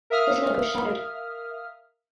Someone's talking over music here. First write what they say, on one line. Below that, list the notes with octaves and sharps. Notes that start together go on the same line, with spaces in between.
His leg was shattered.
A#4 E5 F5 D#6 F6